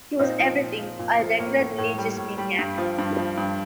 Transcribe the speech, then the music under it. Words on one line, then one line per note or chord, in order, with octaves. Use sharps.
He was everything — a regular religious maniac.
A#2 C4 D#4
F3
A#2
F3
A#2
F3
A2 A#3
A2
A2
G3
A2
G3
G2
F3
G2
F3
G2